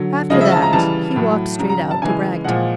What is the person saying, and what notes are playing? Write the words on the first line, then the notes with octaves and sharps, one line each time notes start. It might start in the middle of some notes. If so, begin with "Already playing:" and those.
After that he walked straight out to Bragton.
Already playing: D3 F#3
C#3 F3 G#3 D#5
E5
A5
A#5
C#3 E3 G3 A5
A2 F#3
C#3 F#3 A#5
A#5
A#5
A5
C#3 E3 G#3 G#5
A#2 F3 G#3 F#5